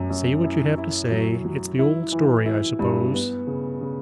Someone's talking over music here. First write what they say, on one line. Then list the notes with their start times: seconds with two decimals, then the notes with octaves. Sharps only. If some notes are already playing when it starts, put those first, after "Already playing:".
'Say what you have to say; it's the old story, I suppose?'
Already playing: F#2 C#4
0.10 F#2
0.44 E4
0.78 E4
1.11 F#3
1.45 F#3
1.79 E4
2.12 E3
2.46 E4
2.79 G2
3.14 B3
3.47 C#3
3.81 C#3